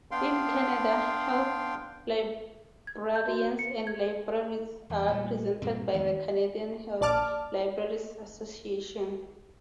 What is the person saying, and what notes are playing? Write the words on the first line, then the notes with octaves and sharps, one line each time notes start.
In Canada, health librarians and libraries are represented by the Canadian Health Libraries Association.
B3 D4 F5 G5 C6
G#6
G6
F#4
C#7
G#6
E2
A#2 G3 A3
G2 A#2 C4
F2 D#3 G#3 B3
A#1 D5 A5 D6 F6